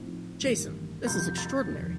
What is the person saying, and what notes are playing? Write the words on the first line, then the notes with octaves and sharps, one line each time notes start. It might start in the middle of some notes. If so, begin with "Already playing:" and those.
Jason, this is extraordinary!
Already playing: A2 F3 C4 D#4
A1 G2 D#3 A#3
F2 C3 G3 G6
A6
F1 D#2 D#3